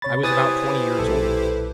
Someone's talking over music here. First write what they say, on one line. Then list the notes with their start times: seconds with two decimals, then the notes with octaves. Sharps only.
I was about twenty years old.
0.02 C3 C#5 B5 A6
0.23 E4 G4 B4 C5 G#5 D#6 A6
0.99 B1 A#2 A4